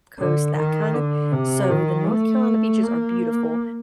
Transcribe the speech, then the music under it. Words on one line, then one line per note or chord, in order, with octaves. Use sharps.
Coast, that kind of So the North Carolina beaches are beautiful,
D3
D#3
D3
C3
D#3
A3
A#3